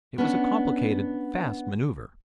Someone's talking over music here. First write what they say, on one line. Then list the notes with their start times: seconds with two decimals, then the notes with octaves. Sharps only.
It was a complicated, fast maneuver.
0.18 B3 C#4 D4